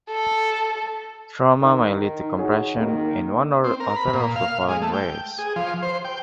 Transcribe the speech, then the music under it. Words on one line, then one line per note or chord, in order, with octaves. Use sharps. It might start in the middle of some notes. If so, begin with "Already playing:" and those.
Trauma may lead to compression in one or other of the following ways.
A4
D#3 D#4
F#4 G#4 C#5
D#3 A#3
C4
A#4
B5
A#2
F5
G#3
A3
G5
G#4
F3
C5
G5